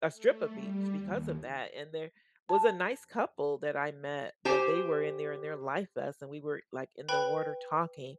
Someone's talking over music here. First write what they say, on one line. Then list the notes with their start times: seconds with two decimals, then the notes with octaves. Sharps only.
a strip of beach because of that. And there was a nice couple that I met that they were in there in their life vests, and we were, like, in the water talking.
0.13 A3
0.49 G3
0.97 D#2
2.49 A5
4.45 G4 C5 G#5
7.09 B4 G5 B5